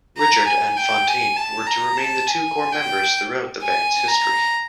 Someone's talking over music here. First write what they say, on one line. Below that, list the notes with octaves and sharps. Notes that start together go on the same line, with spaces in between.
Richard and Fontaine were to remain the two core members throughout the band's history.
A#5
G#5
G5
G#5
A5
A#5
A5
G#5
G5
G#5
A#5